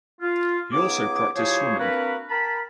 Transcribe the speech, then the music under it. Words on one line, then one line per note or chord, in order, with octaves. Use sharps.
He also practiced swimming.
F4
C#2 B3 D#4 G#4 D6
F3 E4 G4 G#4 C5 C#5
A#3 C4 D4 F#4 A#4 B4
A#4 G5 A5 B5